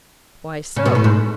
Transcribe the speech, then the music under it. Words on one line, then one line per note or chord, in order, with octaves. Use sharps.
Why so?
C#3
B2
A2
G#2